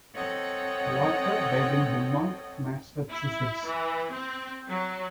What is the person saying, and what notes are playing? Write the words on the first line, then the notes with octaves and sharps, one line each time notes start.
Walker died in Belmont, Massachusetts.
C4 A4 C#5 D#5 F#5 G5
E4
E3
C4
F#3